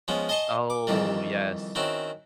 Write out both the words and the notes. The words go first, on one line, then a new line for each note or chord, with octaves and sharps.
Oh, yes.
F3 G#3 B3 C#4
D#5 G#5 A5 C6 C#6
D6
F2 D#3 E3 G3
D#3 C4 C#4 E4 F#4